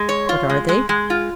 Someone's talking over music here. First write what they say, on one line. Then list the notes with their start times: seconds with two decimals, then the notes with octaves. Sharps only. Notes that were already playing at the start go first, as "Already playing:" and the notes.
What are they?
Already playing: G#3
0.09 C#5
0.29 F4
0.49 G#3
0.69 G#3
0.89 G#3
1.10 F4